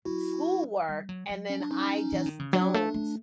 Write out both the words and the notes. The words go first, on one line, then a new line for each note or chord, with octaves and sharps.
schoolwork and then I just don't
F#3 E4 F#4
G3
F#3
F#3
C#4
D4
C#4 D#4
E3
D#3
C#3
F#3 D4
C#4
D4
A3
A3